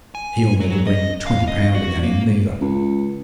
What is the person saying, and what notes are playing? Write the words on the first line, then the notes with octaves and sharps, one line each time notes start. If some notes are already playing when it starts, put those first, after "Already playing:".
He'll never bring twenty pound again, neither.'
G#5
F#3
D#5
F5
D#5
F#4
A#3
C#2